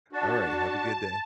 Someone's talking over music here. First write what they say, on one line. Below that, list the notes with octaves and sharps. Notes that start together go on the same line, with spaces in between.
Alright, have a good day.
D4 F#4 A5